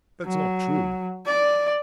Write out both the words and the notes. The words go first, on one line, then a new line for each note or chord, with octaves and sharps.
That's not true.
F#3
D5